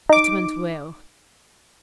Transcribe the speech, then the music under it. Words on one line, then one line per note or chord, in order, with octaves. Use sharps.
It went well.
D#4 D6